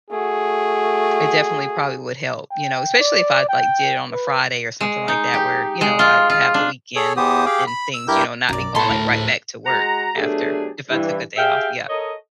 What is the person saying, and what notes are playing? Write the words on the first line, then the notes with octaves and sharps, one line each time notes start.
it definitely probably would help, you know, especially if I'd, like, did it on a Friday or something like that where, you know, I'd have the weekend and things, you know, not be going, like, right back to work after if I took a day off. Yeah.
A3 F#4 G#4
G5
D5
G5
B4
G#3
D#4
G4
G#3
F4
F4
D4
G#4 A4 C#5
E2 E3 B3 G4 C5 D#6
G4 G#4 F5 G5
B5
E6
G2 E4 G4 A#4 G6
B1 F#2 A#4 D5
A2 A4 C#5 B5 C6
D2 A#4 C5
G#3 F#4 F#5 A#5
B2 F#3 A3 D4 G4 G#4
G2 E3
G4 G#4 E5 F5 G5
A4 A#4 C#5 D#5